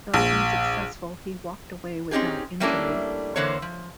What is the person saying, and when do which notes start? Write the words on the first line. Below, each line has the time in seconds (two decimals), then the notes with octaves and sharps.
Though unsuccessful, he walked away without injury.
0.14 A#1
2.11 C4 C#4 D#4 G4 G#4
2.60 G3 A3 A#3 C#4 D4 E4
3.36 D3 E3 A#3 C5 C#5
3.62 F3